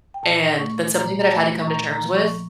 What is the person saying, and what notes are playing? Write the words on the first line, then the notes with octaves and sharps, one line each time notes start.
And that's something that I've had to come to terms with,
G5
A#2 A5
A3 C#6
A#2 A#5
A#5
A3 A5
C#6
A#2 A#5
A#5
F3 A#3
C#6